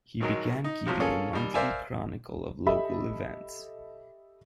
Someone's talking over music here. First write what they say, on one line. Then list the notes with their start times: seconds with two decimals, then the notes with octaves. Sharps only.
He began keeping a monthly chronicle of local events.
0.20 G#1 D#3 F#3 G#3
0.64 D#4
0.87 C3 F3 F#3
1.00 A#3 C#4 F4 G#4 A4 C#5
1.33 D#2 G3
1.54 A#4 C5 D5 E5 F5 G#5
2.66 G4 A4 D#5 E5 B5